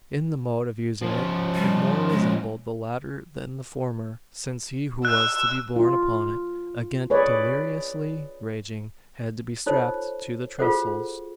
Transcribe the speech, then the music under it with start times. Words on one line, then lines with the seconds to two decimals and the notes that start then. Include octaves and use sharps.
In the mode of using it, it more resembled the latter than the former: since he who was to be borne upon it, again deliriously raging, had to be strapped to the trestles!
1.01 F3 C#4
1.55 G3
2.10 G#3
5.05 E6 F#6
5.76 F4
7.10 G#4 B4 C#5 D5
9.66 D#4 F4 A4 C5 C#5
10.59 F4 F#4 G#4 A4 C5 F#5